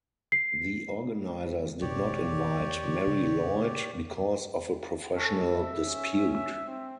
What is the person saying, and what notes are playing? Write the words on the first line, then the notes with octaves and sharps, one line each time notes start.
The organisers did not invite Marie Lloyd, because of a professional dispute.
C7
G#1 B2 G4 C#5 D5
E2
A#2 C#3
C#4 A4
E5
C#4
C4